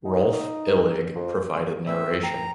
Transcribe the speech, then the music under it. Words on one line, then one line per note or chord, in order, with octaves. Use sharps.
Rolf Illig provided narration.
D#4
F2
E3 C4 E5
G5 A#5